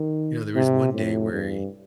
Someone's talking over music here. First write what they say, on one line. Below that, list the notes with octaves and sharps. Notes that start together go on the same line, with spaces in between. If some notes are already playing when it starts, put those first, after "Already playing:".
you know, there was one day where he
Already playing: D#3
C3
A2
G2